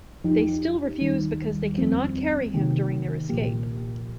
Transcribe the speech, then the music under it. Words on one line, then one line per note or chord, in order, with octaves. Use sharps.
They still refuse because they cannot carry him during their escape.
F2 F3 D#4 G4
D#2 D#3 G3
F2 F3 C4
C3 D#3 A#3 G4
C2 A#2 F3 A#3 G4